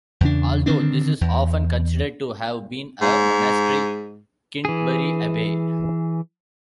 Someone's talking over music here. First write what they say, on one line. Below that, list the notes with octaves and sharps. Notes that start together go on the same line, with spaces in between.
Although this is often considered to have been a monastery, Kintbury Abbey.
E2 C#3 D4
D3 D#3 C4 D4
E2
G#2
E3 G#4